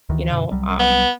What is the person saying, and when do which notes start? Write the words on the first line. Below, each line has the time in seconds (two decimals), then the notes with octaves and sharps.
you know, um,
0.09 D2 D#3 E3
0.31 F#2 B2 D3
0.52 C2 F#3 G3
0.79 B3